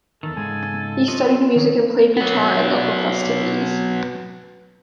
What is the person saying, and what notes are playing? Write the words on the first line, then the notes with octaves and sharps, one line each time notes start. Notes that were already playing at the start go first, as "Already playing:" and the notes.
He studied music and played guitar at local festivities.
E2 D#3 A4
G#2 C#3 G#3 G#5
F#3 C#4 F4 D#5
D#3 F3 F#3 C#5
F#3 B3